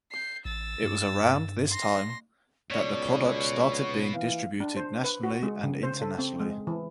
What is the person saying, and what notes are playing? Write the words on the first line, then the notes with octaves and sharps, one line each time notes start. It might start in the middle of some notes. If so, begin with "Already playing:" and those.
It was around this time that the product started being distributed nationally and internationally.
G6 C7
A1 E6 A6
G2
C6 A#6
C#2 B2 C#5 D5
E3 F5
D4
C5
B4
F#4
G#3
C#3
C5
A4
C4
G#3
E3